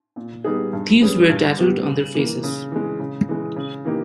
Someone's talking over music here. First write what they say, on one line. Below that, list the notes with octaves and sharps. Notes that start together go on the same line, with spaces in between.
Thieves were tattooed on their faces.
A#2
G3 B3 D#4 G#4
G2
G3 C#4 G#4 B4
G2
G3 B3 G4
C#3
E3 A#3
C#3
E3 G#3
C#3
E3 G#3
C#3
E3 A#3 D#4 G4